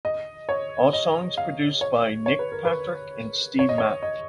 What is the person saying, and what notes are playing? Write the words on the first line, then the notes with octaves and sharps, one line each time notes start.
All songs produced by Nick Patrick and Steve Mac.
D#5
C#5
C#5
D#5
F5
C#5
C#5
B4
A#4
B4
C#5
D#5
C#5
D#5